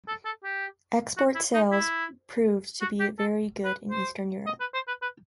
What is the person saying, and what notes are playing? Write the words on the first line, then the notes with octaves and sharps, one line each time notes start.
Export sales proved to be very good in Eastern Europe.
A4
A4
G4
F#4
E4
D#4
E4
F#4
G4
A4
B4
C5
D#5
B4
C5
B4
B4